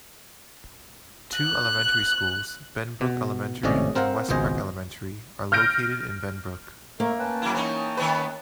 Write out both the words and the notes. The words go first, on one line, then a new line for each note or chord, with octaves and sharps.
Two elementary schools, Benbrook Elementary and Westpark Elementary, are located in Benbrook.
F#6
B2
G#1 A2 C3 C#4 D5 D#5
C4 A#4 C5 F5 F#5
G#1 C#2 B2 C5 D#5 G#5
F6 G6 A#6 D7
A#3 A#4 C#5 E5
C#4 B4 G5 A5
F#3 E4
E3 D#4 C#5
D#3 B3 B4